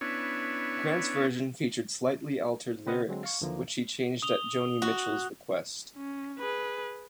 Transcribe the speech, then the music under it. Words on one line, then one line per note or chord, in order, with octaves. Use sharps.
Grant's version featured slightly altered lyrics, which she changed at Joni Mitchell's request.
B3 C#4 D4 E4 C#5
C#3 C4 B4 D#5 F#5 F6
D3 F#3 G#3 C4
F5 C#6
D#2 D3 E3 F3 A#3
D#6 F7 G7
F#4
C#4
G#4 B4